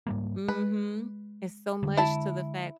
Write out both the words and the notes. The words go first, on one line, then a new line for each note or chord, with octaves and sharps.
Mhm. It's so much to the fact
G#2 G3 A#3
G#3 B4
D3 G#3
E4 A5